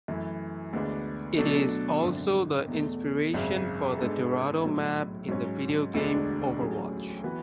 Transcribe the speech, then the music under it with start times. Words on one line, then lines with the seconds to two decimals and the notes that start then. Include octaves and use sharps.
It is also the inspiration for the Dorado map in the video game Overwatch.
0.08 F#2 E3 A3 E4
0.73 D2 D3 G#3 B3 D4
1.38 B2 F#3 A3 D4 A4
2.04 G#1 F#2 D3
2.68 E2 B2 A3
3.34 G#1 F#2 C#3
3.98 G#2 G#3 B3 D4 A4
4.63 B1 A2 F#3
5.28 G#2 F#3 C#4
5.94 E1 D2 D3 G#3 D4
6.58 A1 A2 F#3 C#4 G#4
7.23 E3 B3 F#4